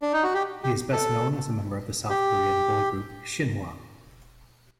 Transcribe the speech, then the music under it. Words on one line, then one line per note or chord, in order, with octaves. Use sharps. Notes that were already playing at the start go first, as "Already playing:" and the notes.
He is best known as a member of the South Korean boy group Shinhwa.
D4
D#4
F#4
G4
G4
A4
G4